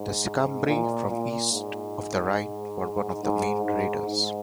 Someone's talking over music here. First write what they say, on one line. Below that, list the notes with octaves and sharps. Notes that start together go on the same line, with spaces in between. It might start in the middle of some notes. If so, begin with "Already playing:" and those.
The Sicambri, from east of the Rhine, were one of the main raiders.
Already playing: G#2
A#2
A#2
G#2
G#2
G#2
G#2